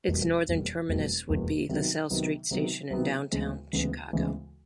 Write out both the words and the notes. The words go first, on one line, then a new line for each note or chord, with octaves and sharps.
Its northern terminus would be LaSalle Street Station in downtown Chicago.
F1 E2 B2 G3 A#3
F1 E2 B2 G3 A#3
F1 E2 B2 G3 A#3
F1 E2 B2 G3 A#3
C3 D#3 F#3 B3
C3 D#3 F#3 B3
C3 D#3 F#3 B3
C3 D#3 F#3 B3
D2 C#3 E3 G#3 B3
D2 C#3 E3 G#3 B3
D2 C#3 E3 G#3 B3